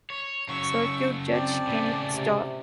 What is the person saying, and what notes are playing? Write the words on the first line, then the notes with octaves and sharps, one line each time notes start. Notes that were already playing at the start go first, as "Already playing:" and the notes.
Circuit judge Kenneth Starr.
C#5
C#3 F#3 C#6 E6
C4 D5 A5
A2 C#3
C3